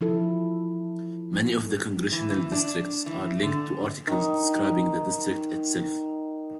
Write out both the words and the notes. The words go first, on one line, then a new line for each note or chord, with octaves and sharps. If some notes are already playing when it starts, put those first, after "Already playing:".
Many of the congressional districts are linked to articles describing the district itself.
F3 E4 A4
E3
E3
D4
E3
D3
D#3 D#4